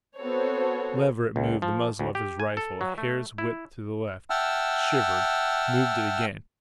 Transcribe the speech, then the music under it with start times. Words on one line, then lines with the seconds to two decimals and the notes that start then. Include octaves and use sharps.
Leverett moved the muzzle of his rifle a hair's width to the left, shivered, moved it again.
0.18 B3 C4 F#4 A4 C5 C#5
1.36 C#2
1.62 F3
1.99 D2
2.15 G4
2.40 G#5
2.57 A4
2.81 F#3
2.98 A3
3.38 E4
4.30 E5 F#5 G5 A5 E6 F6